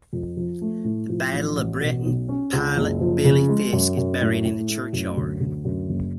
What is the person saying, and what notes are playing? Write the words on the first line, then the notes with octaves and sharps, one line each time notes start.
The Battle of Britain Pilot Billy Fiske is buried in the churchyard.
F2
F3
A3
A2
F3
A1
A1
B2
B1
C#4
C#2
F#1
F3
C#3
G#3
F#2
F#2
A2
A2
A3
F#2
D2
D2
F#2
F#1